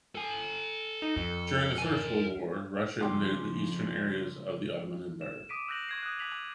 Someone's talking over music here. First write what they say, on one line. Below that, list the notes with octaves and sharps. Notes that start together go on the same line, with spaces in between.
During the First World War Russia invaded the eastern areas of the Ottoman Empire.
A4 G#5
D#4
F2
A#4 G#5
F2 C#3 F3 B3 G4 D5 C6 D6
E7
D6 D#6 B6 D7 D#7
E6 F#6 G6 A#6 F7 F#7
C#6 G#6 C7
D#6 F#6
F#6 B6 F7 F#7